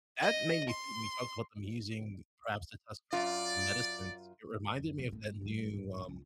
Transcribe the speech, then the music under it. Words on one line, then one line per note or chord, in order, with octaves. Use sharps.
That made me think when you talked about them using perhaps to test for some medicines, it reminded me of that new, um
D#5
C6
F#2 F4 D5
F#2
B2 F3
G#1 A2
G#2 G3
G#2
C#2 F4